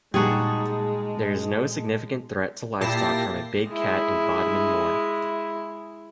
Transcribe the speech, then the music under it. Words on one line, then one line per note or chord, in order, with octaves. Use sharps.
There is no significant threat to livestock from a 'big cat' in Bodmin Moor.
A#2 G3 G#3 D#4 F#4 G#4 A5
A#2 E4 G4 A5 A#6 C7
G#3 E4